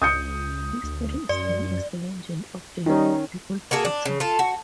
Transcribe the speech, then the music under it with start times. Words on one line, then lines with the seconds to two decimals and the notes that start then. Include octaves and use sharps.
This story is known as the legend of The People Potter.
0.02 C#2 D#6 G6 C#7
0.83 D2
1.29 F#2 D5
2.86 D#3 G3 C#4 D#4
3.71 A#3 F#4 G#4 A4
3.85 D4
4.05 C#3
4.20 F4 A4
4.39 F#4